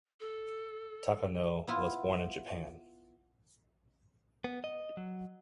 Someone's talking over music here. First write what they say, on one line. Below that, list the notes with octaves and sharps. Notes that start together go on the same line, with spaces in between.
Takano was born in Japan.
A4
B3 E4 F4
B3
D#5
F#3